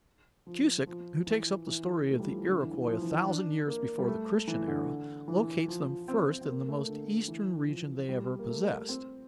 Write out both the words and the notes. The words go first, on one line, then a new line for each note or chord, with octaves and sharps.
Cusic, who takes up the story of the Iroquois a thousand years before the Christian era, locates them first in the most eastern region they ever possessed.
F3
F3
E3
E3
A3
G3
F3
E3
D3
E3
E3
F3
E3
F3
D4
A#3
G3
A3
E3
D3
E3
F3
F3
C4
C4
A#3
A3
D3
E3
F3
G3
A#3
A3
C4